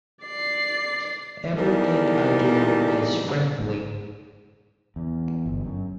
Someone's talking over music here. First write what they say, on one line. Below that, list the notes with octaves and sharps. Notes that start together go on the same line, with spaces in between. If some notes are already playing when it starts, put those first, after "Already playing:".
Everything I do is friendly.
D5 C7
E2 G3 D#4 A4 A#4
E2
G1
F#2